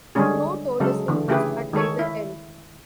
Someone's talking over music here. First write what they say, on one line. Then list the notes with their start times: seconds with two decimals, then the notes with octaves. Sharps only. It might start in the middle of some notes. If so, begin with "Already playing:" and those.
No toll is imposed at either end.
0.15 D3 G3 G#3 C#4 G#4
0.80 C#3 F#3 G#3 A4
1.08 D3 E3
1.28 C#3 A3 E4 G4 G#4 B4
1.73 D#3 G#3 A4 C#5
1.99 E4